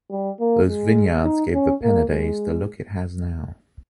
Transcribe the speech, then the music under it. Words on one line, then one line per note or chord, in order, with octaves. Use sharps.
Those vineyards gave the Penedès the look it has now.
G3
A#3
G#3
D#4
C#4
A#3
G#3